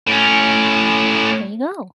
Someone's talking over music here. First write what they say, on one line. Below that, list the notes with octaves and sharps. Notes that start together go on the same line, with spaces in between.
There you go.
A2 C#4